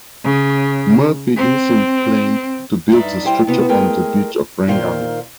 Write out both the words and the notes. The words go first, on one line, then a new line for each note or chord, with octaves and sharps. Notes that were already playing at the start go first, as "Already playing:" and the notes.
Murphy initially planned to build the structure on the beach of Rangali.
C#3
C4
G2 D4 D#4 D5 E5 A#5
G3 E4 C5 G5
C3 B3 F#4
G#3 A3 G#4 A#4 G5
A#2 D#3 A#3 A#4 C5 F5